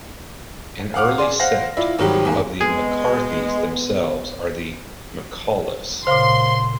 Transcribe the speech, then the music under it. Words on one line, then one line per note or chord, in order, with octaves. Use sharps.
An early sept of the MacCarthys themselves are the MacAuliffes.
F5 F#5 D6 F6
G#4 D5 C6
C5 F5 F#5 A#6
E4 F4 D5 E5
G#1 D#3 F#3 G3 G4
E2 G#2 A#3
G#3 B3 G#4
A#2 C#3 C5 F5 C6